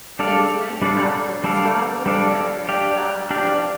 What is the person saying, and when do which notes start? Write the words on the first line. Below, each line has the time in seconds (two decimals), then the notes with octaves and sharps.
It is named after the "Star Wars" character Darth Vader.
0.19 G3 D4 A4 D5 F5
0.82 G3 D4 A4 D5 F5
1.44 G3 D4 A4 D5 F5
2.06 G3 D4 A4 D5 F5
2.69 D4 G4 D5 F5
3.31 D4 G4 D5 F5